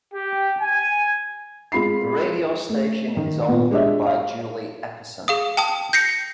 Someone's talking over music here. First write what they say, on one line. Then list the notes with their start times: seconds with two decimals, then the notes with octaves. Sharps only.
The radio station is owned by Julie Epperson.
0.14 G4
0.62 G#5
1.72 G#3 C4 F4 B5 C7
2.69 A3
3.17 D#3
3.48 A#2 B3
3.71 G#3 D4 G4 C#5 D#5 E5
4.03 C#5 F5
5.28 G#4 F5 D#6
5.57 G5 A5 D#6
5.93 G6 A#6 C7 C#7